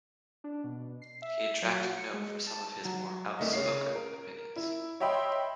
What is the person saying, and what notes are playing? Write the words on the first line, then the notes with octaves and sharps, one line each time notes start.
He attracted note for some of his more outspoken opinions.
D4
B2
C7
E5
F#3
F#4
C#7
G#3
A5
F#3
C2 A3 A#3 D#5
C#3 C#5 C7
A#4
E4
C#5 D#5 E5 G5 B5 C6